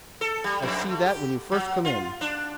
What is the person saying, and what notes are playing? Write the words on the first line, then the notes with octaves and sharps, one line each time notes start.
I see that when you first come in.
A4
G3
F2
A3
G4
F#3
F4
D4